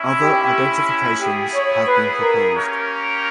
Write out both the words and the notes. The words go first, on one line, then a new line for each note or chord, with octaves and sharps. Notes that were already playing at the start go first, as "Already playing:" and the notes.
Other identifications have been proposed.
Already playing: G#3 C#4 E4
G4
B3 E4 G4 G#4
C#5
B4
A#4
A#3 C#4 G4 A#4 C#5